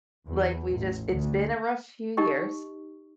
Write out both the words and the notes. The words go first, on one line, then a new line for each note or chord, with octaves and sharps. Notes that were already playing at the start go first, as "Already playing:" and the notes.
like, we just it's been a rough few years,
E2
A1
D2
D#4 G4 A#4 D#5 C#6